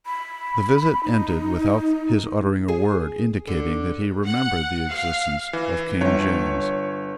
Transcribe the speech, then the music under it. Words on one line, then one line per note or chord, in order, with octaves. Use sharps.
The visit ended without his uttering a word indicating that he remembered the existence of King James.
B5
D#4
G#4
D3
F#5
F5
E3
G1 C#5